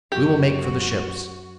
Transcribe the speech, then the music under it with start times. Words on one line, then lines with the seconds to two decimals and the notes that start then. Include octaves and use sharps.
We will make for the ships.
0.12 F#2 F#4 G4